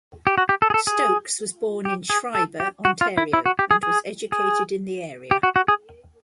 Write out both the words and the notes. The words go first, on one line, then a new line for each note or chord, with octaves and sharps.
Stokes was born in Schreiber, Ontario and was educated in the area.
G4
F#4
G4
A4
G#4
A4
G#4
G4
G#4
A4
G4
F#4
F4
E4
E4
F#4
G4
G#4
G#4
G#4
G4
F#4
F#4
G#4